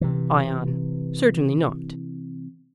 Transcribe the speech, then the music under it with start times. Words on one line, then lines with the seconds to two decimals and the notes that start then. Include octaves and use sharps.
ION: Certainly not.
0.01 C3 E3